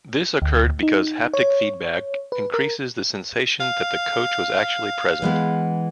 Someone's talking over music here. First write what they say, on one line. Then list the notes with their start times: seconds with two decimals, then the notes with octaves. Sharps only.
This occurred because haptic feedback increases the sensation that the coach was actually present.
0.42 D2
0.83 D#4
1.34 C#5
2.32 B4
2.54 A#4
3.60 F5
5.22 E3 G#3 B3